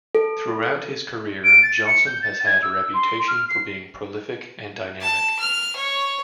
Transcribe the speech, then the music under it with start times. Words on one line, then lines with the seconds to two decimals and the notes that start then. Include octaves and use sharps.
Throughout his career, Johnson has had a reputation for being prolific and dynamic.
0.15 A4
1.43 D7
1.63 A6
1.86 C#7
2.06 G6
2.22 A6
2.46 G#6
2.62 E6
2.93 C6
3.28 F6
3.49 C7
5.01 A5
5.39 F6
5.76 C#5